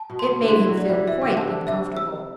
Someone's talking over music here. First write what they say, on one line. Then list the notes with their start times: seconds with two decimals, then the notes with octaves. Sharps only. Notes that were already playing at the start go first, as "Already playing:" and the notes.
It made him feel quite uncomfortable.
Already playing: A5
0.10 B2
0.19 C6
0.41 D3
0.48 E3 C6
0.59 E3
0.68 F#3
0.78 D5
0.88 E3 G3
1.08 E3 E5
1.21 D3
1.34 C3 A5
1.48 D3
1.67 C3 E5
1.97 E6